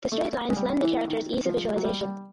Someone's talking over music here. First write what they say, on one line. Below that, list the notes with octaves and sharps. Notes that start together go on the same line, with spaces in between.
The straight lines lend the characters ease of visualization.
A3
G#3
G3
E3
D#3
F3
F#3
G3
G3